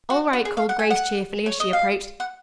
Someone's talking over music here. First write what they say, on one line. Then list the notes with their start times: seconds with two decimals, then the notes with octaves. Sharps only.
"All right," called Grace cheerfully as she approached.
0.10 F#4
0.33 F#4
0.45 G#4
0.57 F5
0.69 F#5
0.79 G#5
0.90 F#5
1.46 C#5
1.60 D#5
1.73 F5
2.20 F#5